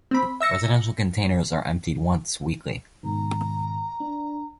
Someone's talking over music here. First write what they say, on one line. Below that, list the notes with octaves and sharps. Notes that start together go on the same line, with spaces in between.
Residential containers are emptied once weekly.
C4 B5
E5 E6 A#6 C#7
G#2 B2 D#3 A#5
D4